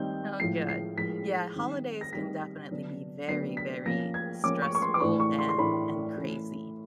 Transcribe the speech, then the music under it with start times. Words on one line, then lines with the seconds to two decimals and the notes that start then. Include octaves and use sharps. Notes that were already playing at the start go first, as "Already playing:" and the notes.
Oh good, yeah, holidays can definitely be very, very stressful and and crazy,
Already playing: D#3 G3 C4 D#4 G6
0.40 A2 F3 G#3 C7
0.68 C7
0.97 A2 F3 G#3 B6
1.56 D#3 G3 C4 D#4
2.01 A#6
2.13 D#3 G3 C4 D#4 B6
2.71 D3 F#3 B3 D4
3.28 D3 F#3 B3 D4 C7
3.57 B6
3.86 F3 A#3 C#4 A#6
4.14 G#6
4.43 F3 A#3 C#4 D6
4.62 C#6
4.75 C#6
4.82 C6
4.94 D6
5.00 A2 E3 A3 D4 C#6
5.20 C#6
5.39 C6
5.49 C6
5.58 A2 E3 A3 D4 B5
6.16 E3 A3 C#4